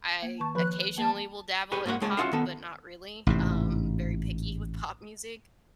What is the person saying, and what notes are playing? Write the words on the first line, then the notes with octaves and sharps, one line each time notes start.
I occasionally will dabble in pop, but not really. Um, very picky with pop music.
A#3
D#3 A5 C#6
F3 B4 B5 F#6
A#3 A5
G4 G#4 B4 C#5
G#2 A#3 C#5 F#5
G#3 G#4 C#5 A5
C#4 D4 F4 F#4 E5 F5
D#3 B3 A4
A1 G#2 C3